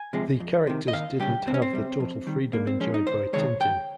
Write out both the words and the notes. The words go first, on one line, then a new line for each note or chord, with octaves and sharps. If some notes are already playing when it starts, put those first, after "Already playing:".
The characters didn't have the total freedom enjoyed by Tintin...
Already playing: G#5
C3 F3 G#3
F2
C3 D#3
D#5
D#2 F5
C#3 G3 G4
C#2 C4
C#4
C4
C3 G3
F2
D#3 G3
G2 A#3
C4
F3 G#3 C#4
D#4
C#2 C5
C3 D#3 G#3 C#5
D#2 G5